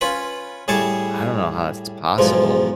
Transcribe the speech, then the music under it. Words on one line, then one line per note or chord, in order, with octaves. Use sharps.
I don't know how it's possible.
C#4 F4 B4 B5
A2 G3 G#4 G#5 A5 C#6
B1 E2 G#2 F3